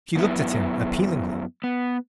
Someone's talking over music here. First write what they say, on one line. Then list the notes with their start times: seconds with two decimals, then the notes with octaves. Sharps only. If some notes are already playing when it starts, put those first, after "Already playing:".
She looked at him appealingly.
0.15 F#2 B3 E4
1.64 B3